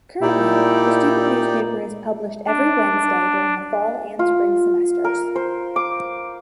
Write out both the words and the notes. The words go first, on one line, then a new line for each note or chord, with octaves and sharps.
Currently, the student newspaper is published every Wednesday during the fall and spring semesters.
A#2 D#4 E4 G4 D5
D4
F4
A#4
C5
D6